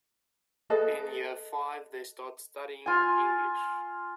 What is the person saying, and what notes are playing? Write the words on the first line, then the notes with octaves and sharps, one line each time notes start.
In year five they start studying English.
G#4 A4 B4 D#5
F4 G#5